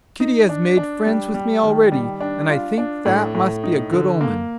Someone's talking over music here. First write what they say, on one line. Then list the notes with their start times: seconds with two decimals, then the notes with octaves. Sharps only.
"Kitty has made friends with me already, and I think that must be a good omen."
0.20 D#4
0.49 D4
0.77 D4
1.06 G3
1.34 G3
1.63 D#3
1.92 G3
2.20 D4
2.49 F4
2.78 D4
3.05 A2
3.35 A2
3.64 D#4
3.92 D3
4.21 A#3